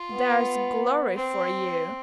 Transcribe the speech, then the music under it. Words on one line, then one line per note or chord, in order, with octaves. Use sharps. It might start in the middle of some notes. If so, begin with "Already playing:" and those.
There's glory for you!'
Already playing: F4
B3
C4